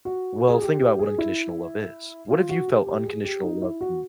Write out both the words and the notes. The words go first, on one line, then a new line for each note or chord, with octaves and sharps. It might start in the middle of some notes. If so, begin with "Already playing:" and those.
well, think about what unconditional love is. What if you felt unconditional love to
F#4
G#4
G4
G4
G#4
E4
F4
F#4
G4
G4
G#4
G4
D#4
E4
F#4